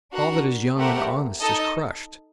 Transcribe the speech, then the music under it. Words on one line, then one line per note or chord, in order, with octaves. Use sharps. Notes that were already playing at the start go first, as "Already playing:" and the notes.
All that is young and honest is crushed!
D4 F#4 A#4 F#5
A3 C4 G4 A#4 F#5
D#4 A4 D#5 A5